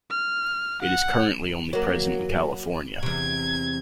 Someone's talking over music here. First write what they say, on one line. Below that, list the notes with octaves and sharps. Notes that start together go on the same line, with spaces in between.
It is currently only present in California.
F6
F#5
F#3 A#3
E2 C3 G#6